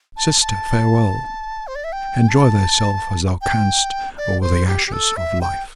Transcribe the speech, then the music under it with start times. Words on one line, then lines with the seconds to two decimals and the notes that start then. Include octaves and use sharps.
Sister, farewell! enjoy thyself as thou canst over the ashes of life.'
0.16 A5
0.41 A5
1.67 C5
1.75 D5
1.84 E5
1.92 G5
2.29 A5
3.41 G5
4.17 D5
4.41 C5
4.67 G4
4.87 G4
4.92 A4
5.16 E5
5.41 G5